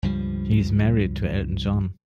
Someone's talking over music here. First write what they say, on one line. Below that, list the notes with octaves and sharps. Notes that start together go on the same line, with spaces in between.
He is married to Elton John.
C#2 G2 F3 G3